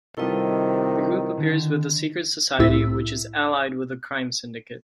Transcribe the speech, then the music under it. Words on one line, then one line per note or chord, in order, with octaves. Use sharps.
The group appears with the Secret Society, which is allied with the Crime Syndicate.
C3 D#3 G3 E4 F4 A4 B4 D#5
D3 D#3
C2 A2 E4